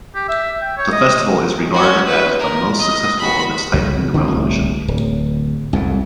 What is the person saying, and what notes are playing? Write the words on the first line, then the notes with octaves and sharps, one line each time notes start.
The festival is regarded as the most successful of its type in the Revolution.
G4
E5
G5
C#5
D#5
C#4 F#4
B4
A#4
D#5
F#4 B5
C#2 F#3
D3 E3 B3 C4
D1 C2
D1
C2 F2 A#2